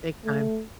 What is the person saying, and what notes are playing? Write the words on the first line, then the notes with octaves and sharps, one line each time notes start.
Big time.
A3